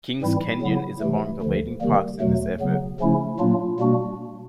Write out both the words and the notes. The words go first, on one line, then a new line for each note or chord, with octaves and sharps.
Kings Canyon is among the leading parks in this effort.
G#2 E3 G3 C4 E4
C#3 F#3 B3 E4
C3 E3 A3
D2 D3 F3
C3 D#3 G3 A#3
E2 B2 F#3 A3
C#3 F#3 B3
C#3 F3 A3 C#4 E4
A#2 F#3 A#3 D4 F4
B2 G3 A#3 D4 F#4